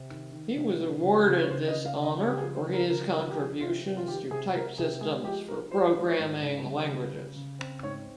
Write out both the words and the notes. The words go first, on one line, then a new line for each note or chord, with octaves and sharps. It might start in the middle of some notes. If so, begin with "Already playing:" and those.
He was awarded this honor for his contributions to type systems for programming languages.
Already playing: C3
D#3
D#3
C3
C4
C#3
C#3
C#5
C#3 C5
D#5
C#3
F5
C#3
D#5
C#3 C#5
G4
G#4
F3
C5
C#3
A#4
C#3 A#4
F3 A#4
G4
F3 G#4
C3 F4
C3
F4
D#3 G4
C3 G#4
C3 A#4
C3 G#4
G#3 G#4
F3 G4
F3 A#4
F3 C5
G#3
C#5
G#2
C#3
G3
C#3
C#3
C#3
C4
G#2 C#5